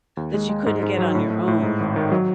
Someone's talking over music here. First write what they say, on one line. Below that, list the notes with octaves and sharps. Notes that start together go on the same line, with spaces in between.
that you couldn't get on your own.
D#2
G#3
G#3
G#2
G#2
F#3
A2
A3
A2
G#2
G#1
D#3
F#3